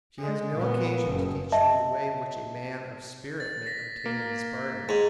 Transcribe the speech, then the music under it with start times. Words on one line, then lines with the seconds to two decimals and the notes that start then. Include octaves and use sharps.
She has no occasion to teach me the way in which a man of spirit may obtain his pardon.
0.18 G#3
0.55 A#2 B3
1.03 F#1
1.52 D#5 E5 A5
3.40 A6
3.66 A#6 B6
4.06 A#3
4.89 G#2